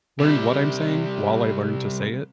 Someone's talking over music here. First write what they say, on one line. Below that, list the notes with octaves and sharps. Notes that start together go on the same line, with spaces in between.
learn what I'm saying while I learned to say it,
C3 G3